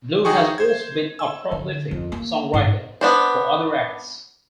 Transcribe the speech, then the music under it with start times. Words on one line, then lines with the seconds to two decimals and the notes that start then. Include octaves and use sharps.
Blue has also been a prolific songwriter for other acts.
0.25 D#4 F#4 G#4 G5 C#6
0.58 C5 G#6
1.19 E6
1.51 D3
1.91 F2
2.12 A#3
2.53 G#2
3.01 B3 D4 C5